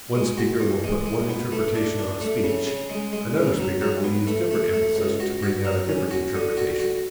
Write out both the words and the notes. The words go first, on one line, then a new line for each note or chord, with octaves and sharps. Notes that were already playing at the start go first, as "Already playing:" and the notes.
One speaker will put one interpretation on a speech, another speaker will use different emphasis to bring out a different interpretation.
G#3
F#4
E2
G#3
G#3
B3
A3
D4
D4
A3
C#3
C#3
G#3
G#3
C#3
F#3
F#3
B3
A3
A3
A3
C#2
F#4
F#4
F#3
C#4
F#4
D3
F#4
F#4